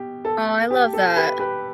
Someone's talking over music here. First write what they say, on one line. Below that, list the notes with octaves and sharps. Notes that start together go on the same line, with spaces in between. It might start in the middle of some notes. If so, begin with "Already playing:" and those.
Oh, I love that.
Already playing: B2 G4
A4
G4
A4
G4 B4
G4 B4